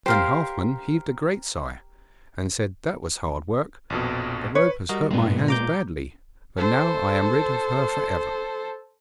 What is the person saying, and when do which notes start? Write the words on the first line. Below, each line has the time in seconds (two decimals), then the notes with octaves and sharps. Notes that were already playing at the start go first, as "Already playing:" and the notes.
Then Halfman heaved a great sigh and said, 'That was hard work; the rope has hurt my hands badly, but now I am rid of her for ever.'
0.06 G4 A#4 C5 F5
3.90 A#1 F2 B2
4.55 B4 C#5
4.89 G3 F#4 A#4 D#5
5.11 G2 A#2 G#3 B3
5.48 A#5 D6 G6
6.57 A4 C5